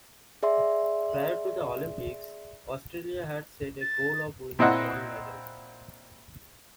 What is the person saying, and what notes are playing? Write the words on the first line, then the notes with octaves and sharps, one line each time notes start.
Prior to the Olympics, Australia had set a goal of winning one medal.
G#4 D5 E5 C6
A6
A#2 C4 E4 D#5 F#5